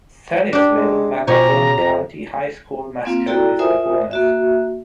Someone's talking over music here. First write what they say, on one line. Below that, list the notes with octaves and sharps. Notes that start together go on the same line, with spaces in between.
Salyersville's Magoffin County High School mascot is the Hornets.
D4 G4
G#3
B2 F3 G4 C#5 G#5 A#5
C#3
F2
A#3 C4 F4 F5
E4 F#4 A4 D5 G5 A#5
F4 A#4 C5 E5 G#5 D#6
A#3 F#4 E5